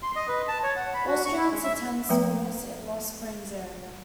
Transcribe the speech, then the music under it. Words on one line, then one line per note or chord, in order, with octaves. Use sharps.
All students attend schools in Lost Springs area.
C6
D#5
B4
A5
C#5
F#5
B5
F#4
C#6
E4
G#3
E5
F3 A3 B3 B4 G5 A#5